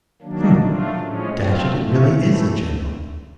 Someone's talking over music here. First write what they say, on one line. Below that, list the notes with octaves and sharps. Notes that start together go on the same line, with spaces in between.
Hm, dash it, it really is a general!
D#3 F#3 A#3 D4
F#3 A3 D4 F4
A2 F3 G#3 C#4
F#3 A3 C4 F4
A2 F3 A3 C#4
A2 E3 A3